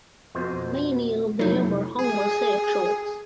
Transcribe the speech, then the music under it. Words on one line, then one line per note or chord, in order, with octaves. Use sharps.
Many of them were homosexuals.
F2 B2 C5
F1 F#3 D#4 E4
G#4